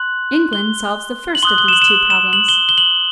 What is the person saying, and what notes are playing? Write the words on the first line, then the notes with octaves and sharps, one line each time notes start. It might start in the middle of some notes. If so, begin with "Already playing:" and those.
England solves the first of these two problems.
Already playing: C6 F#6 F#7
G7
F#7
C6 D#6 F#6 G7
G7
E7
F#7
E7
F#7
E7
F#7
G7
G7
F#7